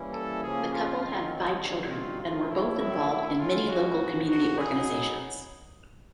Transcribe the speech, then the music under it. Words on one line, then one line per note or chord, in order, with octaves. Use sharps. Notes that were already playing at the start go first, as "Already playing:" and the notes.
The couple had five children and were both involved in many local community organisations.
Already playing: E3 G3 A#3 C#4 E4
A4
C#3 F3 A#3 C#4 G#4
F4
D#3 G#3 C4 F4
D3 G3 C4 D#4 F#4
F4
A2 F3 A3 F4
E4
D#3 F#3 A3 E4
E4
A2 E3 G#3 C#4 E4 F4
F#4
A2 F3 G#3 B3 D#4
F#4
B2 F#3 B3 D#4 G#4